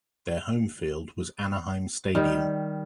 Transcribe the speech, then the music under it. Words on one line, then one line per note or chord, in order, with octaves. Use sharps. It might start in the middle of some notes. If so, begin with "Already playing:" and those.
Their home field was Anaheim Stadium.
D#3 G3